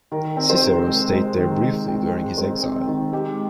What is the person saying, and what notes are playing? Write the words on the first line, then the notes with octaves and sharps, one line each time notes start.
Cicero stayed there briefly during his exile.
D#3 A#4
C4
C5
C3
G#3
G#3
D#3
G#3
C4
G#3
G#3 C5
C4
D#3
G#3 G4